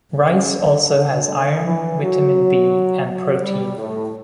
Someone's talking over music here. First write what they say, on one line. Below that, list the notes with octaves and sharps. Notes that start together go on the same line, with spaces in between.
Rice also has iron, vitamin B and protein.
C#3
D3
D3
E3
F#3
F#3
G3
A2